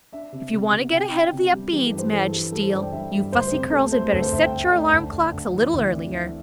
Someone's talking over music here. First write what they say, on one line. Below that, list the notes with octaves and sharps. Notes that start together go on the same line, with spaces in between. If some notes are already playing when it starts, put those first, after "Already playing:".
"If you want to get ahead of the Upedes, Madge Steele, you Fussy Curls had better set your alarm clocks a little earlier."
D4 E5
C3
C3
C3
C3 G5
D4
C3
G3
E3 G4
A4
G2
C5
E3 A4
G3 A4
G3 A4
C5
G2 D5
G5
G2 E5
G3 E5
D2 C5
C3 G4
A3 A4
A3 C5
D2 A4
C5
D2 E5
G5
D2
A3 D5
D2
D2
D2
E3
D2
C4 D5
E3 E5